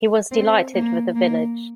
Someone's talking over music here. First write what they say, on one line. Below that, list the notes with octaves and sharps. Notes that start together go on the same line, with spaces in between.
He was delighted with the village.
C4
A#3
A#3